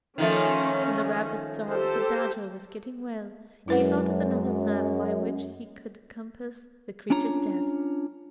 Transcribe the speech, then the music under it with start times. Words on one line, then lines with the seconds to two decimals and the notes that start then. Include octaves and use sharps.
When the rabbit saw that the badger was getting well, he thought of another plan by which he could compass the creature's death.
0.18 D#3 F3 A3 C#4
1.68 G4 A4 C5
3.68 F#2 G#3 E4 B4 F#5
7.10 C#4 D4 F4 C#5 A#5